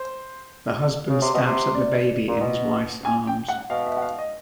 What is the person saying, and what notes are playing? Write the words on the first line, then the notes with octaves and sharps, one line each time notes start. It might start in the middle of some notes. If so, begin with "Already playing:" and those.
The Husband stabs at the baby in his wife's arms.
Already playing: C5
C#3
C3
B2
C3
D5
A#2
B2
G#5
G5
F#5
B2 F5
E5
F#5
F5
D#5